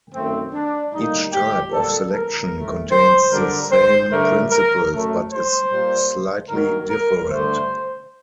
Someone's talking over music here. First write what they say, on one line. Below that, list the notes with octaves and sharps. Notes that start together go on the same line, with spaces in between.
Each type of selection contains the same principles, but is slightly different.
F#2 D#3 A3 C4
D4
A2 G3 A#3 D#4
G4
A#2 G3 A#3 A4
A#4
A2 A3
C5
G2 D3 G3 A#4
C5
G2 D3 A3 A#4
A#4
F#2 F#3 A3
C5
A#2 G3 A#3
G2 D#3 F#3 A#3 A#4
A#4
G2 D3 A3 C5